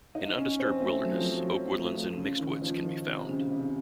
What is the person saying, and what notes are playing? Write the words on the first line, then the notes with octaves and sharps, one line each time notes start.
In undisturbed wilderness, oak woodlands and mixed woods can be found.
D#4
C#4
C4
A3
F#3
F3
F#3
A3
F#3
F3
C#3
D#3
F3
D#3
C3
C#3
C#3
C3